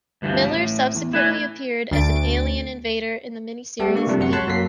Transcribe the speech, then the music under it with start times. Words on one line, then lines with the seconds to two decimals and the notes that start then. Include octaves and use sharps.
Miller subsequently appeared as an alien invader in the miniseries "V".
0.22 D2 G2 E3 F3
0.44 A1 A2
0.94 E2
1.13 A2 E4 B4 G#5
1.91 D2 A6 D7
3.79 G3 A3 B3 G4 A4
3.95 A#3 D4 C#6
4.07 C3 F3 G3 A3 D4
4.19 F#2 C3 F#4 C#7
4.33 C#5 F#5 A5 B5 C6
4.47 F#2 F#3 A#3 A4 B6 C7